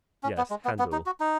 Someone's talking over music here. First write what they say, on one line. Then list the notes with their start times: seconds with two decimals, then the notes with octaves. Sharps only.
Yes. Handel.
0.23 C#4
0.38 B3
0.50 G#3
0.65 B3
0.79 B3
0.92 D#4
1.06 F#4
1.20 D#4